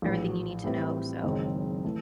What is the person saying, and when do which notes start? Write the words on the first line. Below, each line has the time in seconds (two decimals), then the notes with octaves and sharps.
everything you need to know. So
0.02 A#1 A2 E3
0.64 A2 E3 G3 C4 E4
1.23 F#1 F#2 D#3 G#3 C4
1.85 E3 A3